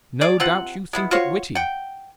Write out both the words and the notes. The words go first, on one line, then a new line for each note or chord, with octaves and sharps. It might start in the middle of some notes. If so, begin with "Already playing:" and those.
No doubt you think it witty!
G#4 D5
C3 C4 F4 F#5
G#3 B3 E4
F4 F#4 C5 C#5
F#5 G5